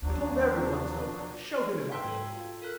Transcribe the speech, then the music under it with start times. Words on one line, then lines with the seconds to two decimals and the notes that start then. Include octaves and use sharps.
I told every one so, shouted it at them.
0.02 D#2 F3 F#3 D4
1.92 B4 G5 C6 E6 B6
2.04 G#2 F#3 A4 G#6
2.33 F4
2.62 A4 A#4 F#6